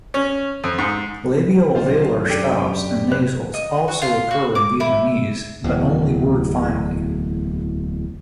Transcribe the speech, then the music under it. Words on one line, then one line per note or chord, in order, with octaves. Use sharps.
Labial-velar stops and nasals also occur in Vietnamese but only word-finally.
C#4
F2
G#2
B1 D3 D#3 F4 C5 F5
F#2 D4 G4 A4 D5 G5
B4
D#5
F#4
F4
F#4
D6
E4
D1 E2